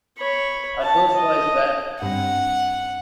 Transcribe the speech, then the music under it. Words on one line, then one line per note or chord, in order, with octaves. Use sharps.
Are those boys bad?
C#5 B5
A5
D#5
G2 C4 F#5 A#6